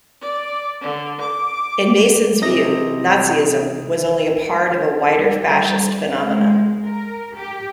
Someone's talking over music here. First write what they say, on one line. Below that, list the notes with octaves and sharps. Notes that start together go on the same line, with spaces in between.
In Mason's view, Nazism was only part of a wider fascist phenomenon.
D5
D3
D6
C3 E3 D#5 A#6
G3
G3
G#3
A#4
G4